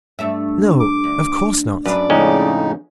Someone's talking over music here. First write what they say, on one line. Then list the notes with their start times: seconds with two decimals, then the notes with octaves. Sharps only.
"No, of course not."
0.19 G2 A3 E5
0.80 D6
1.04 D2
1.86 F#2 D4 B4 D5
2.10 F2 A2 C#3 G#3 C#4 D#4